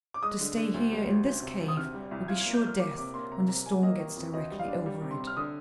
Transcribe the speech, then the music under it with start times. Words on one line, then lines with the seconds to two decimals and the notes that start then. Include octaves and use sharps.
To stay here in this cave will be sure death when the storm gets directly over it.
0.14 D6
0.23 G#3 D#6
0.41 D3
0.57 D3
0.74 D2
0.92 G3
1.08 D2
1.26 D2
1.42 C3
1.60 D2
1.68 D#6
1.76 C3 F6
1.94 G3
2.11 C2
2.28 F4 G#6
2.41 A#3 G#6
2.54 G6
2.63 A#3 F6
2.79 A#3 D6
2.96 C3 D6
3.14 A#3 C6
3.31 C3 A#5
3.48 C3 A#5
3.66 C3 G#5
3.83 A#3 D#5
4.00 D#3
4.16 F2
4.34 D2 D#5
4.51 G3
4.59 F5
4.68 D4
4.86 G3
5.02 C3
5.11 C6
5.19 C3
5.27 F6
5.37 D3 D#6